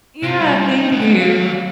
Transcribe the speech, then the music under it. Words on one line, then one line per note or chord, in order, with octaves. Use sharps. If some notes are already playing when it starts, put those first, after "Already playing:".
Yeah. Thank you.
C3
G3
D#4
G#3 B3
D#2 F5